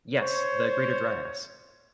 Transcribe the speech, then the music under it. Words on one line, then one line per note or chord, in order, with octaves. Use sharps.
Yes, the Greater Dryas.
C5 C#5